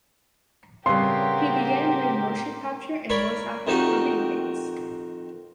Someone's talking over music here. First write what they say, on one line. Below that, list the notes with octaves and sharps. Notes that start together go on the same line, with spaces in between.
He began doing motion capture and voice acting for video games.
A2 C#3 G3 B3 C4 G4 A#4 C6
A#4 C#5 D5 B5 C#6
F2 D#3 D#4 F#4 G4 D#6